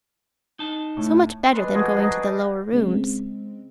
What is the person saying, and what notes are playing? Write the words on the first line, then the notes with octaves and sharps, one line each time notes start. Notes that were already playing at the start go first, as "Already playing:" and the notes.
So much better than going to the Lower Rooms.
D#4 A5
A2
G#3 D4 B4 C6
F3 F#4 G#4
D4 D#4
C#3 G#3 C4